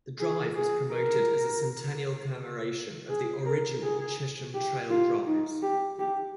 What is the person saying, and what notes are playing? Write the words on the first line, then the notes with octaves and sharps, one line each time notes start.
The drive was promoted as a centennial commemoration of the original Chisholm Trail drives.
G#4
G#4
A#4
G#4
A#4
G#4
G4
F4
D#4
G4
G4